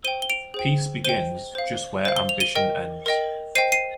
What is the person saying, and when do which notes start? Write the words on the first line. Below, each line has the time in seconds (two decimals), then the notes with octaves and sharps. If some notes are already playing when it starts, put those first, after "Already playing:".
Peace begins just where ambition ends.
0.04 C5 G5 D#7 G7
0.22 G7
0.30 D7 F7
0.54 G#4 C5 G5
1.04 C5 D#5 G5 D#7 G7
1.55 C5 F5
2.05 C5 F5
2.16 G7
2.29 F7
2.40 D#7 G7
2.55 A#4 D#5 G5
3.06 A#4 D#5 G5
3.55 C5 D#5 G5 C7 D#7
3.72 C7 D#7